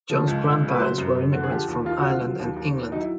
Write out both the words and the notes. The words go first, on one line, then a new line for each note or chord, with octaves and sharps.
John's grandparents were immigrants from Ireland and England.
F3
C#2
C#2
C#3
B4
F#3 C5
F#2
F#2
D3
G#4
F3 G4
D#2
D#2 F4
F#4
D3
F4
F#3
D#2
D#2
D#3
F#3 D#4
E4